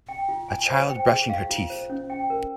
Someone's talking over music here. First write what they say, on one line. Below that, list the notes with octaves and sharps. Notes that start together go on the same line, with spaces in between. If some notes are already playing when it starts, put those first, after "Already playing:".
A child brushing her teeth.
G5
F4
G#5
C5
G5
G#4
F5
F4
C5
C#4
G5
A#4